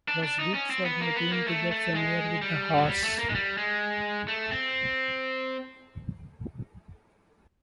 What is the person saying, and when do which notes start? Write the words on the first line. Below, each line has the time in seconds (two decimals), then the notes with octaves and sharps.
Was good for my team to get familiar with the horse.
0.08 D4
0.24 D4
0.39 D#4
0.54 C#4
0.70 C4
0.85 B3
1.01 A#3
1.16 B3
1.32 A#3
1.47 A3
1.71 A3
1.95 G#3
2.42 G3
2.78 F#3
2.89 G3
3.04 A3
3.19 A#3
3.29 G#3
3.35 G3
3.58 G#3
4.28 A3
4.51 C4